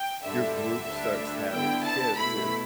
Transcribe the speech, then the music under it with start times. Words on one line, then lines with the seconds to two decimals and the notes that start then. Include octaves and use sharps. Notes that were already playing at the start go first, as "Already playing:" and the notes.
your group starts having kids is
Already playing: G5
0.23 G2 D3 G3 E5
0.57 E5
0.89 D2 D3 G3 D4
1.53 D3 B3 E4 G5
1.85 A5
2.17 B2 A3 E4 B5